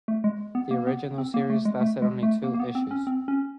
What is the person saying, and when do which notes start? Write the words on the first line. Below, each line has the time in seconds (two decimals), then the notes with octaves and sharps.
The original series lasted only two issues.
0.08 A3
0.24 G#3
0.55 B3
0.71 A#3
0.87 B3
1.18 C4
1.34 A#3
1.50 A3
1.65 G#3
1.81 A3
2.02 G#3
2.23 A3
2.44 A#3
2.54 A#3
2.60 B3
2.75 C4
2.91 C#4
3.07 C4
3.28 C#4